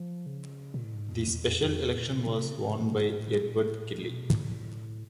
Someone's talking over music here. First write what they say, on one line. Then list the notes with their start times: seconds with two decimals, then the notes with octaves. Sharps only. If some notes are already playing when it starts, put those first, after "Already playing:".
The special election was won by Edward Kelly.
Already playing: F3
0.26 C#3
0.74 A#2
0.84 A2
0.94 G#2
1.11 F2
1.28 E2
1.45 F2
1.62 F2
1.78 E2
1.95 A#2
2.13 B2
2.26 B2
2.30 C3
2.47 C#3
2.63 G#2
2.81 A2
2.91 A2
2.97 G#2
3.20 A2
3.43 A#2
3.65 A2
3.88 A#2
4.10 B2
4.33 A2